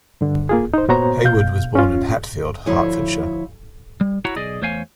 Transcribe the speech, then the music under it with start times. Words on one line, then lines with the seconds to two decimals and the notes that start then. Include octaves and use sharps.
Haywood was born in Hatfield, Hertfordshire.
0.21 G2 D3
0.49 A#3 F4 G#4
0.74 D#4 C5
0.88 A#2 B3 F#4 C5 C#5 A#5
1.24 B2 F5 G6
1.75 C#4 F4
2.66 D2 F3 E4 C#5
4.01 G3
4.25 E4 F#4 C#5 F#5 A#5
4.36 B1 G#4 D5 D#5
4.62 E2 A3 C5 C#5 F5 G#5